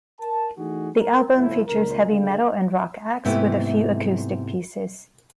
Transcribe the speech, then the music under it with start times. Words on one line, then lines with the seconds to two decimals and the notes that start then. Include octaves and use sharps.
The album features heavy metal and rock acts with a few acoustic pieces.
0.20 A#4 A5
0.58 E3 A3 D#4 F#4 G#4
1.00 A#4
1.34 G1 D2 A2 F3 E4
1.67 C#2 A#2 A#4
2.07 C#2 D3 G#4 F5
3.25 G#2 C3 A3 B3 E4